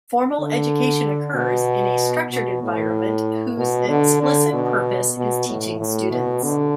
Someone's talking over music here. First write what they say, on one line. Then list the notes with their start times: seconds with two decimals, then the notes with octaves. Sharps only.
Formal education occurs in a structured environment whose explicit purpose is teaching students.
0.39 D3
1.35 B2
2.31 B2
2.63 A2
3.58 B2
3.89 D3
4.22 D3
4.54 B2
5.17 B2
5.49 A2
5.80 A2
6.12 B2
6.44 D3